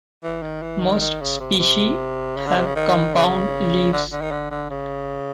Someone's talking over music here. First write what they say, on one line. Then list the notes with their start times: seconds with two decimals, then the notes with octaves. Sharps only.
Most species have compound leaves.
0.23 E3
0.43 D#3
0.62 E3
0.81 D#3
1.00 D#3
1.21 C#3
1.40 C3
1.59 C3
2.37 C#3
2.47 D3
2.56 C3
2.67 C#3
2.76 D#3
3.14 C#3
3.93 D3
4.12 D3
4.22 D#3
4.31 D3
4.51 D3
4.70 C#3